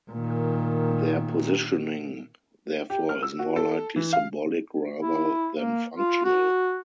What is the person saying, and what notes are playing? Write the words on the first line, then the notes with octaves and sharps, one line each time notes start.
Their positioning therefore is more likely symbolic rather than functional.
A#2 D#3
G4
F6
E6
F#4
A4
E3
F5
E4
A#3
F4
F#4